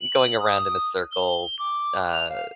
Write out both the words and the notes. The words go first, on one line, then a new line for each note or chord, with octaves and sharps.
going around in a circle, uh,
F#7
D#6
G7
D6
F7
F5